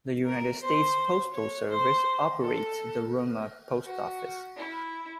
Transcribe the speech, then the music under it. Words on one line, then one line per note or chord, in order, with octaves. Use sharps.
The United States Postal Service operates the Roma Post Office.
A#4
C5
C#5
C5
A4
F#4
E4